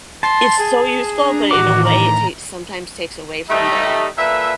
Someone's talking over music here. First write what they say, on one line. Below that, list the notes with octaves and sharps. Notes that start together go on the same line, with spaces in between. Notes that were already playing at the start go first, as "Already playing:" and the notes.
It's so useful, but in a way, it takes sometimes takes away from the
A5 C6
G#4
D4 A#5
A2 D#3 E3 F#4 D6
A#5
G3 A3 D#4
A#2 A4 B4 E5